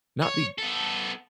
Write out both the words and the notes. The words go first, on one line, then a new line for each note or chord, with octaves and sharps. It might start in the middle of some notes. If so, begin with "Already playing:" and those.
not be
C#5
B3 A4